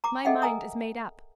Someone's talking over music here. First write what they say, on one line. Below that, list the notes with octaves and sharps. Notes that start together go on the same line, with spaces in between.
My mind is made up.
A#5 D6
G#4 A4 D#5 E5 F#5 G5
A#4 G#5 A#5 D#6